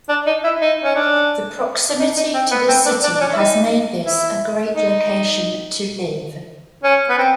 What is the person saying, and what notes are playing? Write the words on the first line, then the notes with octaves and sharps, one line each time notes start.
The proximity to the City has made this a great location to live.
D4
D#4
E4
D#4
C#4
D4
D#4
D#4
C4
B3
C4
D4
D4
D4
C#4
E4
D#4
E4
D#4
C#4
B3
C4